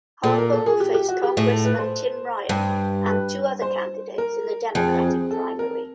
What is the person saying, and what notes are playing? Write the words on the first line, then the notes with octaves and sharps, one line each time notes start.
Harper will face Congressman Tim Ryan and two other candidates in the Democratic primary.
A#2 A4
A#4
A4
G#4
G4
G4
F#4
G4
A2 G#4
A4
B4
C5
G2
B4
C5
A#4
F2 G#4
G#4
A4
A#4